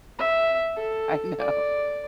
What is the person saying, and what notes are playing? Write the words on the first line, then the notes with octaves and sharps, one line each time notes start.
I know.
E5
A4
D5